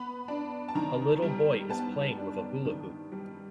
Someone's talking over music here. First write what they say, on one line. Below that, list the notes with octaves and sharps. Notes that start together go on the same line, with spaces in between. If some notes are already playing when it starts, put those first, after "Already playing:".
A little boy is playing with a hula hoop.
Already playing: B3 B5
D4
A5
D#3 A#5
G3
B3 A5
D4
D#3
G3